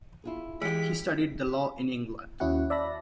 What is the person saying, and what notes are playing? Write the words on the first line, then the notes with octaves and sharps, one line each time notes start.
He studied the Law in England.
E4 F4 G#4
E3 G#3 G4 B6
D#2 C#4 E4 F#4 F#5
D5 E5 A5 B5 A#6